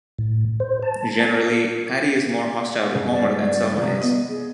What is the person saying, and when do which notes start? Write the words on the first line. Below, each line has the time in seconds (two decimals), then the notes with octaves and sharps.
Generally, Patty is more hostile to Homer than Selma is.
0.19 A2
0.60 C5
0.83 A5
2.95 G2 C#3
3.12 D5
3.44 D5
3.78 C3 F3
4.01 B3 D#5
4.28 G#4